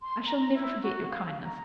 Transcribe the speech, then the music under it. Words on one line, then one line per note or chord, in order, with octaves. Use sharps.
I shall never forget your kindness.
C6
A#5
E4
F#4
F5
A#5